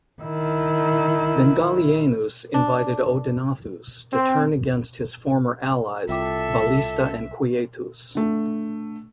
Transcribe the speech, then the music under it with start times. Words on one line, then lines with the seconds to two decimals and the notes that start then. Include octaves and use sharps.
Then Gallienus invited Odenathus to turn against his former allies, Ballista and Quietus.
0.21 D#3 E4
2.54 D4
4.12 C4
6.09 C2 F4 A4 E5 G5 D6
8.15 D3 A3